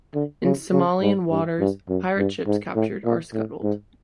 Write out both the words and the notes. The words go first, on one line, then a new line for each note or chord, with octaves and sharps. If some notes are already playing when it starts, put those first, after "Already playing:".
In Somalian waters, pirate ships captured are scuttled.
D3
C#3
C#3
G#2
G2
G2
F#2
G2
G#2
A2
A#2
A2
G#2